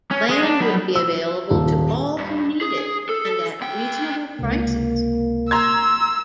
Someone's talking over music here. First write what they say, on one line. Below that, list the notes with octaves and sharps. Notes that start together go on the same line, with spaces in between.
Land would be available to all who need it and at reasonable prices.
C#4
G#3
D4
F#3 B5
E6
D#1
G2
G#4
A4
C#2 G5
C#2 C3 A#3
A#5 C6 E6 G#6